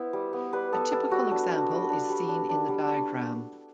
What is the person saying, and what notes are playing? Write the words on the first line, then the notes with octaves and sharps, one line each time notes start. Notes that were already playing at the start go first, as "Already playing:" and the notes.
A typical example is seen in the diagram.
Already playing: B3 E4 C5
G3
B3
G3 B4
B3 A4
G3 A4
G3 F#4
D4
D4
G3
D4
G3
D4
D4
G3
D4